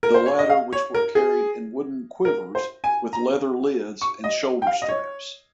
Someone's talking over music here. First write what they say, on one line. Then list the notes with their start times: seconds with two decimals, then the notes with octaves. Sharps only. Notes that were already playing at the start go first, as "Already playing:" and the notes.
The latter which were carried in wooden quivers with leather lids and shoulder straps.
0.03 A#4
0.14 C5
0.26 C#5
0.39 D#5
0.50 F5
0.73 C#5
0.95 A#4
1.15 G#4
2.25 A#4
2.55 C5
2.84 G#5
3.13 A#5
4.01 C#6
4.24 D#5
4.62 G5
4.67 F5
4.82 D#5
4.89 C#5